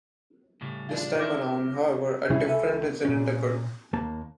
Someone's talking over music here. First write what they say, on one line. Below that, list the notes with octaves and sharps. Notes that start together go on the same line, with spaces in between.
This time around, however, a different incident occurred.
A2 C#3 G3
G#3 D4 F4
E4 A#4 E5 D6 F6 A#6
C#3 G3 C#4 E4 G#4
C#2 A4 E5 G#5 B5
A#2 C#4
D#2 A#3 A5